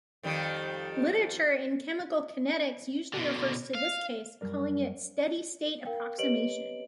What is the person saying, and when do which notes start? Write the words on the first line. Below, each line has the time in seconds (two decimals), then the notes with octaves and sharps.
Literature in chemical kinetics usually refers to this case, calling it "steady state approximation".
0.23 F2 D#3 G3
3.14 B2 D3
3.75 F5
4.41 F#2 G3 A#4 D5
5.86 A#4 F5 G5
6.18 G4 B4 C#5 D#5 D7 F#7